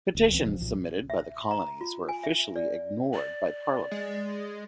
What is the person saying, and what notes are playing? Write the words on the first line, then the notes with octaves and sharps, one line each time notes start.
Petitions submitted by the colonies were officially ignored by Parliament.
D1 D2
C#2 E3 C4
D1 C3 F3
B1 A#2
E5
A#5
F4
G#5
E5
D5
D5
G#3